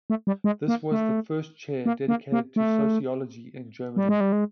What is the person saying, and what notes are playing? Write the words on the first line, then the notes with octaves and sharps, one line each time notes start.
This was the first chair dedicated to Sociology in Germany.
A3
G3
G#3
A#3
A3
A#3
A#3
A#3
A3
G3
G#3
G3
G#3